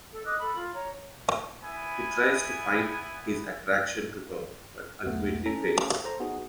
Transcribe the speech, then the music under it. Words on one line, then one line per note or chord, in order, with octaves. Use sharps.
He tries to fight his attraction to her, but ultimately fails.
A4
D#5 D6 D#6 F#6
A4 B5
F4
C#5 A#5
B3 E4 G#5
B1 E2 A3 B3
C#4 A4 A#5
A4 C5 A#5
B3 D#4 F#4 G#4